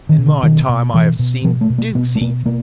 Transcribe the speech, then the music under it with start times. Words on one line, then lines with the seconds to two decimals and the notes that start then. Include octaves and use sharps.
In my time I have seen dukes eat.
0.09 D#3
0.18 B2
0.26 D3
0.43 B2 D#3
0.69 B2
0.94 B2 E3
1.19 B2
1.44 B2 F3
1.61 A3
1.70 B2
1.78 A#3
1.95 B2 B3
2.15 A3
2.21 B2 A#3
2.46 B2 A#3